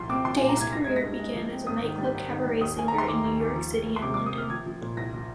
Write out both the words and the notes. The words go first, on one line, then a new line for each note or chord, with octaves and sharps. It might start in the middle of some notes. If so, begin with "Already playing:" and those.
Day's career began as a nightclub cabaret singer in New York City and London.
Already playing: C2 A#2 F3 C6
C4 D6
F3 C6
G#5
A#2
A#5
C2 G#6
G2 A#6
G#6
G#3
A#6
G2
G#3
F3
C4
G#1 D#6
D#3
G3
G#1
D#3
G3
D#2 D#6
A#3 G#5
D#3 A#5
C6
D#2 D6
D#2
D#2
F3
A#3
A#3
C6
C3 D6
D6
A#3
D#6
A#3 F6
F3 G#6
F3
A#2
C2 A#6
F3